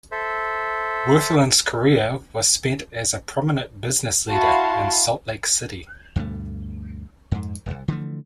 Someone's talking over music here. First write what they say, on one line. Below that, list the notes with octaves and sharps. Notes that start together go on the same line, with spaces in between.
Wirthlin's career was spent as a prominent business leader in Salt Lake City.
A4 C5 E5
E4 F#4 F5 A5 C6
D2 G2 B2 A3
F2 G#2
D1 C2
D3 E3 F3 A3